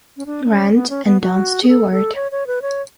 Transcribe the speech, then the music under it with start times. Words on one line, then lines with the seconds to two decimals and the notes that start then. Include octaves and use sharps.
Grant and Don Stewart.
0.17 C#4
0.26 D4
0.46 D4
0.50 C#4
0.74 B3
0.89 C#4
1.05 B3
1.21 F#4
1.63 G#4
1.68 A4
1.92 A4
2.15 C#5
2.32 C#5
2.47 B4
2.62 C#5